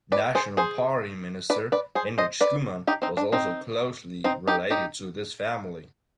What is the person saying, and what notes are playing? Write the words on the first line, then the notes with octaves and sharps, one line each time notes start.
National Party Minister Hendrik Schoeman was also closely related to this family.
B4 D5
G#4 C5
G#4 C5
B4 D5
B4 D5
G#4 C5
C5 D#5
B4 D5
D#4 G4
C4 D#4
D4
C4 D#4
C4 D#4
D#4 G4
D#4 G4